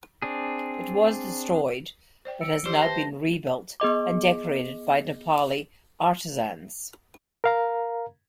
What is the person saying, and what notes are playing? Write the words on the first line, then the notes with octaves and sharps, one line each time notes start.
It was destroyed but has now been rebuilt and decorated by Nepali artisans.
C4 D4 G#4
C5 D5 G5
E6 C#7 D7
E3 G4 C5 D5
B4 E5 G5 A5 A#6
B3 G#4 D#5 D6
A#4 F5 A#5